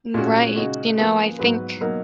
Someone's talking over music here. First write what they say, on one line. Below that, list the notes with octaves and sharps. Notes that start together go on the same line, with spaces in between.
Mm, right, you know, I think
A#2 G#3 C#4 F#4
C#3 G#3 D#4 F#4
F3 A#3 F4 G#4 B4
G#2 F#3 B3 F#4 B4
B2 F#3 A#3 D#4 A#4